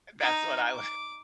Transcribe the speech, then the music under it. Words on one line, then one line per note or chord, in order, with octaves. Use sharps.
That's what I wa
D#4
D6